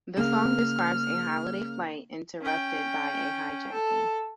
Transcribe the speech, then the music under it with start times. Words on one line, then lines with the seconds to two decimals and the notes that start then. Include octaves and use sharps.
The song describes a holiday flight interrupted by a hijacking.
0.17 C#3 A#3 F6
2.42 C#4 G5
3.72 A4